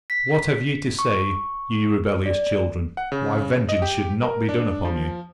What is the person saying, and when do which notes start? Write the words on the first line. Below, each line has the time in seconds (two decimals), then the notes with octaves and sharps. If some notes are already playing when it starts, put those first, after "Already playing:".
"What have ye to say, ye rebellious children, why vengeance should not be done upon you?"
0.10 B6
0.99 C#6
2.26 D5
2.97 F#5
3.12 C#3
3.69 D#5
3.82 G4
4.22 A#4
4.49 D4
4.85 F3